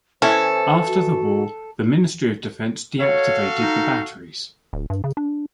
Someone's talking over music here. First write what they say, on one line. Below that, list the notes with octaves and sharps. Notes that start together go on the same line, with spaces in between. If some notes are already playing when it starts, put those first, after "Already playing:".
After the war, the Ministry of Defence deactivated the batteries.
E3 C#4 A4 C5
F#4
F#4 A4 C#5 F5
D#4
D1
G2
C#3
D4